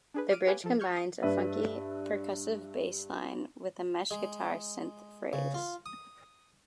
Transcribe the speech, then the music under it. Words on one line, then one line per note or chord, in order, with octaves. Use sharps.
The bridge combines a funky, percussive bass line with a meshed guitar synth phrase.
D4 G#4 B4
D6 F6 D7 D#7
G4 B4 C#5 F5 G#5
F3 A4
C#6 F6 G6 G#6
D#6
G2 D4 B4 E5
G#3
C#3
F4
D#6